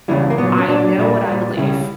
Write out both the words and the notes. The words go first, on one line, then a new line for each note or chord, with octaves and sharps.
I know what I believe.
C#2 C#3 E3 G3 E4
A#3
A#2 F#3 B3
C#4
A#2 F#3 D4
A#2 G3
A#2 G3
C#2 C#3 G3 E4